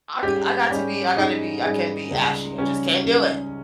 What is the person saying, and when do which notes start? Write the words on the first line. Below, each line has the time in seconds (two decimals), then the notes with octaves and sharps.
I g I got to be I gotta be I can't be ashy. I just can't do it.
0.22 G#2 G3 C#4 G4 G#4 D#5
0.69 G#2 G3 C#4 G#4 D#5
1.16 G#2 G3 C#4 D#4 G#4 D#5
1.64 G#2 G3 C#4 G#4 D#5
2.11 C#2 C#3 G3
2.58 C#2 C#3 G3 C#4
3.04 C#2 C#3 G3